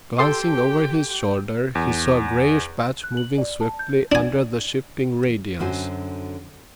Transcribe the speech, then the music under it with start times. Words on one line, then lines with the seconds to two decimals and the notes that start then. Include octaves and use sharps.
Glancing over his shoulder, he saw a grayish patch moving swiftly under the shifting radiance.
0.18 G4 A4 G5 C6
1.75 E2
3.04 F#6
3.17 F#7
3.38 D5
3.61 A5
3.79 G6
4.12 D4 G#5
5.59 F#2 D3 C4 F#4 C5 G#5